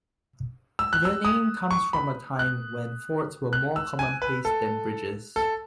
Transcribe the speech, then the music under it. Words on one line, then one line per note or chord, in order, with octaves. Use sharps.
The name comes from a time when fords were more commonplace than bridges.
E6
F#6
E6
D#6
C#6
B5
F#6
F#6
E6
G#5
B4
A4
A4